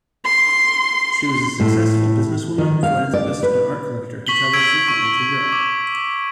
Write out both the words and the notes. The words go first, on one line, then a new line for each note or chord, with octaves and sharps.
She was a successful businesswoman, philanthropist and art collector who traveled frequently to Europe.
C6
A2
D#3
F5
D5
B4
C#6 B6 F#7 G7
E6 G#6 B6 D7
C#6
D6